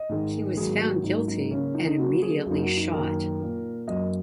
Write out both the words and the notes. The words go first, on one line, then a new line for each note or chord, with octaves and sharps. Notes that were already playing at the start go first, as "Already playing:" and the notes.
He was found guilty and immediately shot.
Already playing: D#5
G#2 D#3 G#3
G#2 D#3 F#3 A#3 G#4
F#4
G#2 F#3 A#3 D#4
D#4
C#3 A#3 C#4
D#4
D#4
C#3 F#3 A#3 F#4
G#4
F#2 F#3 A#3 D#4
F#4
D#4
F#2 D#3 A#3 A#4
A#2 A#3
F#2 F#3 A#3 D#5